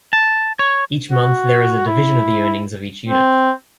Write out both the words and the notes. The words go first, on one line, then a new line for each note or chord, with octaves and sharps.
Each month there is a division of the earnings of each unit.
A5
C#5
F#4
E4
C4